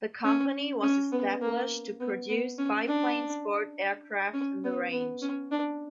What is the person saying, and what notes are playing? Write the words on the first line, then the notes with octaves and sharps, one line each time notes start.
The company was established to produce biplane sport aircraft in the range.
C#4
C#4
B3
A#3
B3
B3
C#4
D4
C#4
B3
B3
C#4
D4